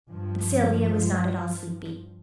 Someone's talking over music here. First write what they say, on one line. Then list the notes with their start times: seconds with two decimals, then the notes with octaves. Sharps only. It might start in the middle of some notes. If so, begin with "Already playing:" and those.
But Sylvia was not at all sleepy.
0.11 G2 F3